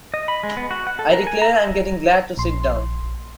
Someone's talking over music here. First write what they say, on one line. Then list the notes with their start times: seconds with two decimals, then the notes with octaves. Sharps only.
I declare I’m getting glad to sit down.
0.14 D#5
0.28 B5
0.43 G#3
0.57 B3
0.71 F#4
0.87 F#5
0.99 A4
1.13 A#4
1.27 G#5
1.42 A#5
1.54 E5
2.37 A#1 C6